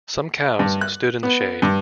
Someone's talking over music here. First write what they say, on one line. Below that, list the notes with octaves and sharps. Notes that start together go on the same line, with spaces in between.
Some cows stood in the shade.
G2
F#6
B3
G2